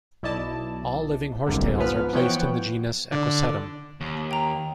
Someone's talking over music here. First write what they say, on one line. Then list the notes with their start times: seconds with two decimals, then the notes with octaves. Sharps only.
All living horsetails are placed in the genus "Equisetum".
0.23 B1 E4 D5 D#5 A5
1.46 G1 C2 F#2 A#2 D3
1.78 G#2 F3 B3 B4 F6
2.13 E3 F3 B3 C#5 F#5 G5
3.12 D3
4.01 D#2
4.31 G5 A#5